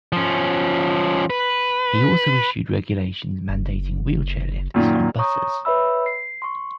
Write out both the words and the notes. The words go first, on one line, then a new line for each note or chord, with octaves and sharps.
He also issued regulations mandating wheelchair lifts on buses.
F3 C#4
B4
F#1
F#2 A#2 D#3
C#5 A#5 C#6 D#6
B4 C#5 E5 B5 E6
C7
C6 C#6